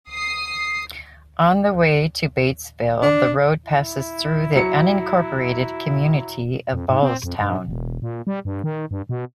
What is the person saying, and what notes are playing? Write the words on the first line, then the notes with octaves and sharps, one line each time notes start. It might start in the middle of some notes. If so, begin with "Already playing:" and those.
On the way to Batesville the road passes through the unincorporated community of Ballstown.
D#6 C7
D4
E4
F#3 C#7
F2
G#2
C4
F2
G2
E1
A#2
G3
G2
D#3
G2
B2